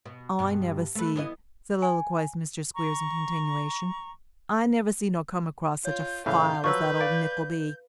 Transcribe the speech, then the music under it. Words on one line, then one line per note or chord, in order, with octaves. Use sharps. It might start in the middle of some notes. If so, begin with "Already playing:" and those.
'I never see,' soliloquised Mr Squeers in continuation, 'I never see nor come across such a file as that old Nickleby.
B2
G2 B2
A3 B4
E3 B3 D#5
G#5
A#5 C#6
F4 C#5 G6
A2 C#3 E3 E5 F5 G6
F3 F#3 B4 C#6 E6
D5 F5